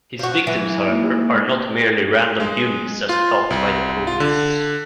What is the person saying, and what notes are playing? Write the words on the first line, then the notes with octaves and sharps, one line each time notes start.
His victims however, are not merely random humans as thought by the police.
F3 F#4
E3 F#3
E5
G#3 A#3 D#4
G#3
F4
C2
F4
D3